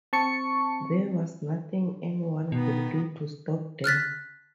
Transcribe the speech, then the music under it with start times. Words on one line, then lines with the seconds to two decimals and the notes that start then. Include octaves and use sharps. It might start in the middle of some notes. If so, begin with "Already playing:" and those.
There was nothing anyone could do to stop them.
0.13 C4 A5 C#6 C#7
2.52 B2 D#3 B3
3.84 F6 F#6 A6 B6